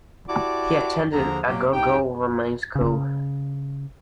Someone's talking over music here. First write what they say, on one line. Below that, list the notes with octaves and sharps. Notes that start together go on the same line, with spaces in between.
He attended Agogo Roman School.
E4 F#4 G4 D5 A5 D6
D#2 D3 F3 D4 G#4 A#5
A#2 F#3 A#3 G4
C2 D#4 G4 G5
C#3